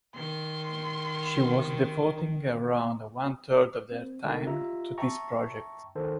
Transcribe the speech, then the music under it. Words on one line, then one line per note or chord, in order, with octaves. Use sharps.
She was devoting around one third of her time to this project.
D#3 C6
C4
D3 G#3 A3 D#4 F#4 A#4
F4 G4 D#5 E5 A#5
E5 G5 A5 A#5 C#6
D#3 A4 C5